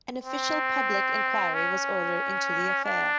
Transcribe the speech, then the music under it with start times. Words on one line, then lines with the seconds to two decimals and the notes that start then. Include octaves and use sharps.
An official public enquiry was ordered into the affair.
0.24 C4
1.54 C#4
2.84 D4